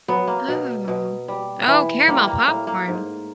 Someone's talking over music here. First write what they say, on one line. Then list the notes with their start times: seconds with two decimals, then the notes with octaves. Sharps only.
Oh. Oh, caramel popcorn.
0.08 F#3 B3
0.27 A#3
0.48 B2
0.88 B2
1.28 G3
1.67 E3
2.08 G3 A#3
2.27 A#3
2.47 A2 A#3
2.67 A#3
2.88 G#2